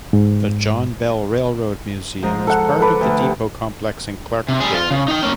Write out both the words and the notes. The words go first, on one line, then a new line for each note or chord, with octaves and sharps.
The John Bell Railroad Museum is part of the depot complex in Clarkdale.
G#2
G#2 F3 A#5
A4 F#5
A4 B4 D6
D2
G4
C3
G3 G#4
F4
C#3
D#4 G5
A#3 C#4